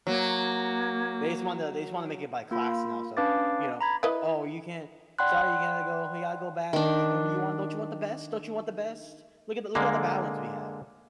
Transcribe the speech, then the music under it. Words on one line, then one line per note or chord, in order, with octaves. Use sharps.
They just wanna they just wanna make it by class now, so, you know, "Oh, you can't Sorry, you gonna go we gotta go bad or you you want don't you want the best? Don't you want the best? Look at the look at all the bad ones we have."
F#3 A#3
A#3 F4 B5
C#4 D4 B4 F5 D6 A6
A#5 B5 G#6
E4 B4 D#5
D5 F#5 G5 B5 C6 F#6
D#3 D4
D3 G#3 A#3